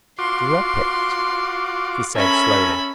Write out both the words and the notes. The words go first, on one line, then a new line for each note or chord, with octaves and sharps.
"Drop it?" he said slowly ...
F4 F#4 C6 D6
C#4 A4 A#4 E5 G#5 B5